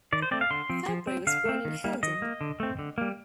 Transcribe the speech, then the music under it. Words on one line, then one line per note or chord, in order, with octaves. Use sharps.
Fabry was born in Hilden.
D#3 D5
C5
A3 C4 D5
F5
D3 C6
F3 C4
F3
C4
D3 F5
A3 C4
D#3
G3 A#3
D#3 D#5
A#3
D3
A3 C4
D3
G3 A#3